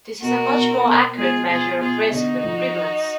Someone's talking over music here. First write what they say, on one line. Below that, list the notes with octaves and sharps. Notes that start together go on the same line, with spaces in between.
This is a much more accurate measure of risk than prevalence.
B2 F#4 A#4
B2
B2
G#3 F4 G#4
B2 F4 G#4
B2 F4 G#4
D3 D#4 F#4
F3